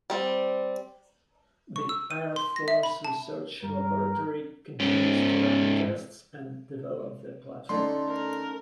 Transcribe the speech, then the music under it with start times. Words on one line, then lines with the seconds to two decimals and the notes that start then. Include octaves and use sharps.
The Air Force Research Laboratory continues to run tests and develop the platform.
0.10 G3 C4
1.76 C#6
1.89 E6
2.11 D#7
2.36 C6
2.56 A#6
2.68 E5
2.83 B5
3.04 A5
3.62 G2 G3 A#4
4.80 G#2 C#4
7.69 D3 A3 C#4 D#4 C6
8.08 A#4